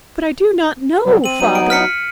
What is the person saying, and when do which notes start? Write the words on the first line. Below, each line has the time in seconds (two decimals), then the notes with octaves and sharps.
"But I do not know, Father!"
1.06 C3 F#3 G3
1.24 C4 D#7 F#7
1.40 F#3 B3 D#4 D#7
1.55 D7
1.70 F6 B6 C#7